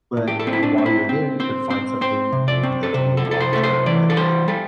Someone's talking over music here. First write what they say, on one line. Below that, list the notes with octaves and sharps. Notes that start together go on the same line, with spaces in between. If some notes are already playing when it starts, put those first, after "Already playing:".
but while you're there, you can find something maybe that's a little long term, and
A2
G4
A4
C4
E4
D4
C4
E4
C4
C4 C5
C4 C5
C4 C5
C3
D5
C4
A4
C3 C5
A4
C2
A4
C5
A3 A4
C5
E3 D5
A4
G3 C5
G3 A4